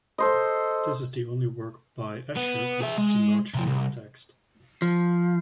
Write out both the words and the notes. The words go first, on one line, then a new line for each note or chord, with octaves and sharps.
This is the only work by Escher consisting largely of text.
A4 C5 D#5
B3
G#4 E5
G#3
C3 F3
C2
F3